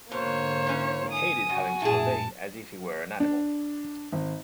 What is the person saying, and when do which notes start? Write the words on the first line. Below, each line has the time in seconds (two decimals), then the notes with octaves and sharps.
He hated having to obey as if he were an animal.
0.12 G#2 B2 D3 A#3 C5 C#5
0.67 E3 C#4
1.12 G#5 D#6
1.49 C#3 F#4
1.82 A#1 F#2 A2 E4 G#4 A5
3.20 D4
4.12 G#1